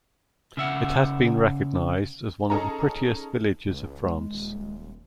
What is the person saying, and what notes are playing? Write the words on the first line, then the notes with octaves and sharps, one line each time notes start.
It has been recognized as one of the prettiest villages of France.
C#3 E5 F#5
C#4 D#4 G#4 A4 G#5 A#5
C#2
G#3
D#1